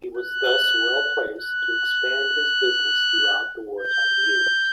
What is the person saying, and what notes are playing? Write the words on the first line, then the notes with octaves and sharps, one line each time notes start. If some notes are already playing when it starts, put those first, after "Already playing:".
He was thus well placed to expand his business throughout the wartime years.
F#6
F#6
G6